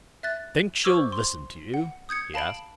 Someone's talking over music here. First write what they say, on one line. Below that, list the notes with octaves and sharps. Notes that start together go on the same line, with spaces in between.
"Think she'll listen to you?" he asked.
E5 F#6 A6
C5 C#6 D6 E6 F6 G#6
C6
F#5
D#6 G6 G#6 C#7
F5 A5 B5 D7 F#7